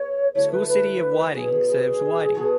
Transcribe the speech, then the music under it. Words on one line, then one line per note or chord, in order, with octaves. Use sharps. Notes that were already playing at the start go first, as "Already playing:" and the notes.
School City of Whiting serves Whiting.
Already playing: B3 G#4 C#5
D3 F#3 A3 E4 C#5
B4
B4
B2 F#3 B3 G#4
G#4
G#4
G#4
B3 F#4 A4 C#5